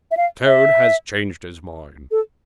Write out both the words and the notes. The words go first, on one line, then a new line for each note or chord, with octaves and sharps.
Toad has changed his mind.
E5
F5
E5
A4